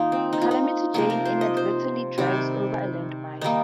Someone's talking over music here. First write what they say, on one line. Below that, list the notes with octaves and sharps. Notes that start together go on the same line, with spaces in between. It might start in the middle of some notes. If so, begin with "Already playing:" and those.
Calamity Jane inadvertently drives over a land mine.
Already playing: D#3 A#3 D#4 F4
C4
D#4
F4
D#4
C3 F3 A#3 G4
A#4
C5
D#5
C5
C3 D#3 G3
D#3 G3 A#3 D#4